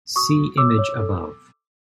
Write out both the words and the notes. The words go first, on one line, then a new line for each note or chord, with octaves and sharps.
See image above.
F#4 C#6 D#6
F#4
C#5 D6 E6
C#5
A4